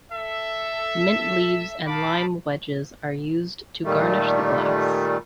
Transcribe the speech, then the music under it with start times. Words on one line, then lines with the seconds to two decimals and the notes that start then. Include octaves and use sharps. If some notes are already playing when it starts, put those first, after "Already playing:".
Mint leaves and lime wedges are used to garnish the glass.
0.11 A4 E5
1.86 D#4 F5 A5 B5 D6
3.84 A#2 D#3 G3 A3